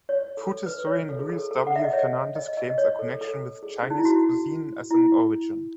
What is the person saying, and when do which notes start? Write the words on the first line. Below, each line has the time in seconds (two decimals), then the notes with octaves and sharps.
Food historian Luis W. Fernandez claims a connection with Chinese cuisine as an origin.
0.09 C#5
0.37 A4
0.66 B4
0.87 C#5
1.09 A4
1.19 G#4
1.29 A4
1.51 A4
1.67 F#5
1.76 E5
1.85 D#5
1.93 C#5
2.36 D#5
2.57 D#5
2.78 C#5
2.99 A4
3.21 A4
3.63 G#4
3.83 C#4
3.90 D#4
3.98 E4
4.05 F#4
4.91 E4